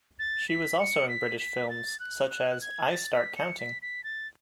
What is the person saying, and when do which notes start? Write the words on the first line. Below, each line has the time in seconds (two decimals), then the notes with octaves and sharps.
She was also in British films such as "I Start Counting".
0.19 A6
0.49 B6
0.80 C#7
1.09 B6
1.40 B6
1.70 A6
2.00 F#6
2.30 F#6
2.51 F#6
2.61 G#6
2.92 A6
3.14 B6
3.36 C#7
3.59 B6
3.82 B6
4.04 A6